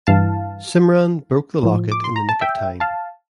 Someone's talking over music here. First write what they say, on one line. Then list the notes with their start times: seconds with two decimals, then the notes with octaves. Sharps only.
Simran broke the locket in the nick of time.
0.07 G2 E3 F5 A5
1.63 A2 F3
1.92 D6
2.04 C6
2.16 A#5
2.29 A5
2.41 E5 G5
2.80 F5 A5